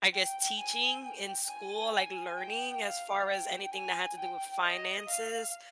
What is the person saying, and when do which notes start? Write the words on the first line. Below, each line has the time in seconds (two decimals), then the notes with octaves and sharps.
I guess, teaching in school, like, learning as far as anything that had to do with finances,
0.13 G5
0.57 G#5
1.03 G5
1.47 G#5
1.92 G#5
2.37 G5
2.82 F5
3.27 G5
3.72 G#5
4.18 G5
4.62 D#5
5.07 F5